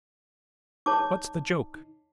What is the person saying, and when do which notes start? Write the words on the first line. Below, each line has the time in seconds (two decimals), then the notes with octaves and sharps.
"What's the joke?"
0.86 D#4 C#5 A5 D6